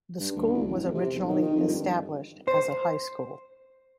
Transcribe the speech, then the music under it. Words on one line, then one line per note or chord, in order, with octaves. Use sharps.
The school was originally established as a high school.
G2
D2
C2
A1
F2
C3
B1
D#3
D#3
F2
G2
C5